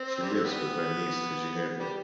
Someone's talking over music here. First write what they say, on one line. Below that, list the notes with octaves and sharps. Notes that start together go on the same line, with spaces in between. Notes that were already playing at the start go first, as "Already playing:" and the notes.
She lives with her niece Geneviève.
Already playing: C4
G3
A3
G3 B3
G3